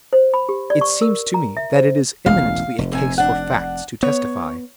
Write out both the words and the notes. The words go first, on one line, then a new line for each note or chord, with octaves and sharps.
It seems to me that it is eminently a case for facts to testify.
C5
B5
G4
D5
C#6
A#4
A#5
E5
C5
E1 A1 F5
F1
C3 G#5
D4 F#5
B3 C#5